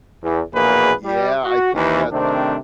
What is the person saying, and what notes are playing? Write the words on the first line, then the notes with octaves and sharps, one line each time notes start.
Yeah, I think that, uh
E2
A#1 E2 B2 A#3 G#4 B4
G3
F#4
D#2 E3
C3 D#3 A3 C4 D4